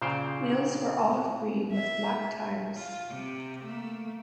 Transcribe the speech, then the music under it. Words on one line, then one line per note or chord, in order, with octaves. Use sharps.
Wheels were olive-green with black tyres.
A#2 C#3 C5 F5 G5
E5
F4
C3
A3 A#3